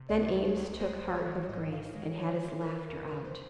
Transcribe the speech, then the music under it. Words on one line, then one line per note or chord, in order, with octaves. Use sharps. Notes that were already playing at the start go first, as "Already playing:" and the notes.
Then Eames took heart of grace and had his laughter out.
Already playing: C3
C#2 D5
C#2
C#5
C#2
G#3 C5
A1
C#5
E3
G#2 D#5
A1 F5
G#3 C#5
D#3 C#5
D#3 C5
A#4
D#3 B4
E2 A#4
A#4
C3 B4
C5